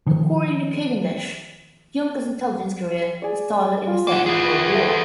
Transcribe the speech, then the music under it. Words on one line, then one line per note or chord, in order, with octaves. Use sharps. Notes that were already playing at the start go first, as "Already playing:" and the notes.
According to Cavendish, Young's intelligence career started in the Second World War.
D#3 F3
G#4 D5
F4
A#3 F#5
B3 G#4
A4 E5 C6